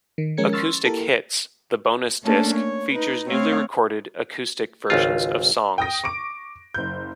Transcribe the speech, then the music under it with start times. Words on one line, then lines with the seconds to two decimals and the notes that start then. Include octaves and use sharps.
"Acoustic Hits", the bonus disc features newly recorded acoustic versions of songs.
0.18 D#3
0.37 F3 G#3 C#4 A#4 G#6 C#7
0.53 C6 C#6 E6 F6 A6
0.85 A#3 E4 G4 A4 A#4
2.23 A3 A#3 C#4 D4 A4
2.55 C#5
2.93 D#4 B4
3.28 A3 C4 C#5 F5
4.90 G#1 C#2 F4
5.78 G5 D#6 A#6
6.04 C#6 D6 D7
6.74 F#1 G6